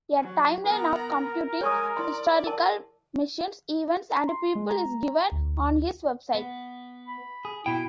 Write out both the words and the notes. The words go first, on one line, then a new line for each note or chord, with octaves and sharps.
A timeline of computing historical machines, events, and people is given on his website.
F#3
B3 A#4 A#5
G#3 C#5 G#5 C#6 D#6
E4 D5 C6
A#4 A5
A#5
C6
G#3
A#5
D2
B3
B5
G#4
B2 E4 G5